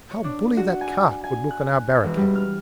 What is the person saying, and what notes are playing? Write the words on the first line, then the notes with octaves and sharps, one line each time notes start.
"How bully that cart would look on our barricade!"
C#5
D4
F#4
G#5
G#5
F#6
E1
G3
F6